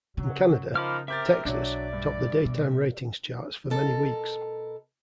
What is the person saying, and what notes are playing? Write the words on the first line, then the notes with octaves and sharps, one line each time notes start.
In Canada, "Texas" topped the daytime ratings charts for many weeks.
C#3 F#3
F3 D#4 A#4 B5 D6 F6
C4 G4 A#4 E5 D6 G6 A6
B1 F#3 D4 D5
G2
B2
B2 A4 A#4